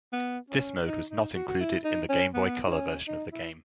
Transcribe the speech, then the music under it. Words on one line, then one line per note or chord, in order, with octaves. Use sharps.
This mode was not included in the Game Boy Color version of the game.
B3
C#4
D#4
D#4
F#4
F#4
E4
D#4
C#4
B3
D#4
C#4
D#4
E4